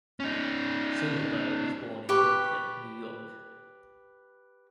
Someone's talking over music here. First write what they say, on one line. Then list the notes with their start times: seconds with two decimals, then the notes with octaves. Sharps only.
Silverberg was born in Brooklyn, New York.
0.20 C#4 D#4
2.09 G4 B4 C#6